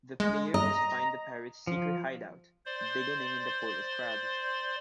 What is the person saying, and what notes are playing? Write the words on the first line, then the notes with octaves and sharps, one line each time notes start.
The player must find the pirates' secret hideout, beginning in the Port of Crabs.
G#3
D#5 A#5
F3
C5 D5 C6